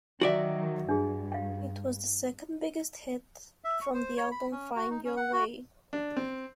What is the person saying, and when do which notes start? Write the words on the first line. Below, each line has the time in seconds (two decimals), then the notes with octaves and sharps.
It was the second biggest hit from the album "Find Your Way".
0.21 D#3 F#3 F#4 D5 E5
0.89 G2 D4 G#4
1.32 F5 G5
3.64 E5
3.81 C#6
3.94 C5
4.17 C#5
4.31 B5
4.52 C#4
4.76 F#4
4.90 D#4
5.05 C#4
5.17 F#5
5.33 F#4
5.93 D4
6.17 C4